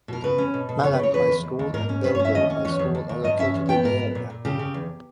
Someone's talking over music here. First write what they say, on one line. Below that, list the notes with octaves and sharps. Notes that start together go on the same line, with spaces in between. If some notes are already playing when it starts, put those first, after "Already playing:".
Malan High School and Bellville High School are located in the area.
B2 A#4
C#3 B4
C#4
B2
B2
C#3 C#5
B4
C#3 C#5
E2 B4
E2
D#2
D#2
G#2 A#4
C#4
G2 B4
C#5
C#4
E5
D#2 D#5
C#4
E2 C#5
E2
D#2
D#2
G2 D#5
C#4 E5
E2
B3 G5
G#2 A#4
B3
A#2
A#2
C#3 G4
C#3
E2